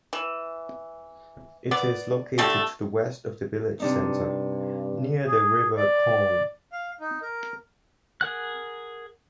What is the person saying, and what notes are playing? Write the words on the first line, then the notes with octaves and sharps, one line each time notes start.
It is located to the west of the village centre, near the River Colne.
E3
B3 D5
D3 G3 A3
G2 C3 D4 D#4
G#4
D5
F5
D#4
A#4
G#4 A#4 F#5 F#6